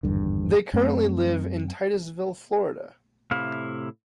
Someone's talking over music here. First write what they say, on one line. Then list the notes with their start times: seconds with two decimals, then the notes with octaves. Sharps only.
They currently live in Titusville, Florida.
0.03 G#1 E2 G2 D3
0.74 F#2 A3 C4
3.31 A2 C3 E4 F5